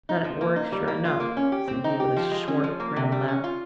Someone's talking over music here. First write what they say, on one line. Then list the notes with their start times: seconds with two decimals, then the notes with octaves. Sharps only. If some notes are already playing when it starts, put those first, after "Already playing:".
'Not at work, sure enough,' said he, with a short, grim laugh.
0.09 D#4
0.24 F3
0.41 A#3
0.56 D#4
0.72 G3
0.88 A#3
1.05 F4
1.20 A#3
1.37 C#4
1.52 G4
1.68 C4
1.84 D#4
2.00 G4
2.17 F3
2.31 G#3
2.48 C#4
2.64 F3
2.80 A#3
2.96 C3
3.12 G3
3.28 C#4
3.44 F4